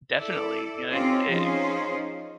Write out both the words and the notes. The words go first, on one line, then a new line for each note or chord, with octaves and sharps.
Definitely. You know, it it
E4 A4 D5
C4 C#4 D#4 F4 G4 C5
F3 C#4 D#4 F4 G#4 C5